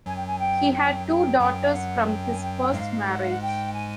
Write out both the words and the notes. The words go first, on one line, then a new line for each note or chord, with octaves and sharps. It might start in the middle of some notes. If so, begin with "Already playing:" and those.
He had two daughters from his first marriage.
F#2 F#3 G#5
G5
G#5
G5
G5
G5
F#2 F#3 G5
F5
F#5
G5
G#5
G5
F#5
G#2 G#3 F5
F#5
F5
F#5
G5
G#5